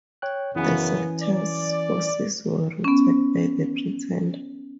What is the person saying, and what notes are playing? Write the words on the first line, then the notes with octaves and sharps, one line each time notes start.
The Sultan's forces were routed by the pretender.
C#5 G5 F#6
F#2 C#3 E3 B3 C#4 G#5
D5
B3 C#4